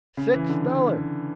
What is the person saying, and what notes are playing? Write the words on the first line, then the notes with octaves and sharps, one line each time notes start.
"Six dollars."
C#3
E3
D3